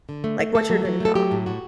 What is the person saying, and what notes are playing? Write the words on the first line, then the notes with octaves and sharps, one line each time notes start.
Like, what's your dream job?
D3
A3
A3
A3 A4
F#3
F#3
A3 A4
F#3 G4
A2
A2 F#4